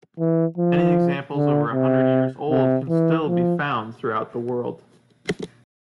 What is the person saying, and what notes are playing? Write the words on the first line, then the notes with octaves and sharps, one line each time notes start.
Many examples over a hundred years old can still be found throughout the world.
E3
F3
D3
C3
C3
E3
F3